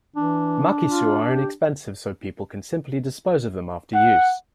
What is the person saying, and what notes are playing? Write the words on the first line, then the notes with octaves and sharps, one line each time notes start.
Makisu are inexpensive so people can simply dispose of them after use.
E3 D4
F4
G4
F#5